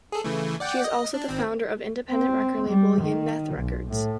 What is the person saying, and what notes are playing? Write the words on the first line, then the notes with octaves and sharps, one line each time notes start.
She is also the founder of the independent record label Yidneth Records.
G#4 A4
C#3 E3 A3
D5 F#5 G5
D#5
D4
G#1 C4
C4
G3
D#3
B1
A2